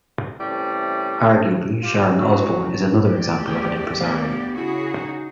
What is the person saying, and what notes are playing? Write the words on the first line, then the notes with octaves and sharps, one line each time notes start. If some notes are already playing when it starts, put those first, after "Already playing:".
Arguably, Sharon Osborne is another example of an impresario.
C3 E3 G3 A3 C#4
F4 G4
A2 C#3 F#3
D2 G4 D5
A2 G#4 G5
B3 F5
C#3 E4 F#4 G#4
D#4